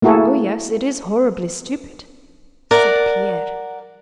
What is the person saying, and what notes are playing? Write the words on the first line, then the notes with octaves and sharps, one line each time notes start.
"Oh yes, it is horribly stupid," said Pierre.
A3 A#3 E4 F#4 G#4 A4
A#4 D5 F#5